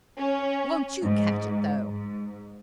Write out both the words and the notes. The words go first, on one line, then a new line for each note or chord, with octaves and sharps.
"Won't you catch it though!"
C#4
G#2
G#2